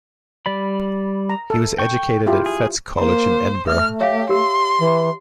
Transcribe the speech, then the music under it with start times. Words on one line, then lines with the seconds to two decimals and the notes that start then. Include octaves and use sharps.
He was educated at Fettes College in Edinburgh.
0.46 G3 D5 B5
1.29 A#5
1.50 A4
1.78 G5 C#6
2.26 E4 F4 G4
2.46 G#4
2.98 A#3 C5 A#5
3.68 A3 E5 F6
4.00 G4 C#5 E5 F5
4.29 G4 A#4 C6
4.79 E3